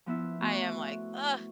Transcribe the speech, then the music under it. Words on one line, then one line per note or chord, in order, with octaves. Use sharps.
I am like, "Ugh."
F3 B3 E4 E5
A3 B3 F#4 C5